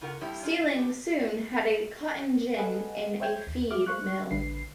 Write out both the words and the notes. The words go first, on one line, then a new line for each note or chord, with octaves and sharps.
Seiling soon had a cotton gin and a feed mill.
C#3 F4 A#4 F#5
F3 G3 C4 E4 G4 C#5
C#4 D4 F4
G4
A4 B4 D#5 F5 F#5 G#5
C5 C#5 E5 G5 G6 G#6
D#2
F#4 E5 D6 F6
C5 F5 C#6 F#6
A1 D3 B4 C7